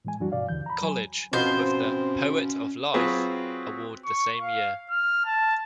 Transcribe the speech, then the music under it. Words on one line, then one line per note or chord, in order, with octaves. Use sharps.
College with the "Poet of Life" award the same year.
A2 E3 G#3 G#5
F#2 E3 G3 D4 F#4
G2 B2 D5 F5
D#2 D3 E3 G6
A#5 B5
F#3 G#5
B2 F3 C4 C#4 C5 E5
F#3 C4 F4 F#4 G#4 B4
C#6
F5
F6
A5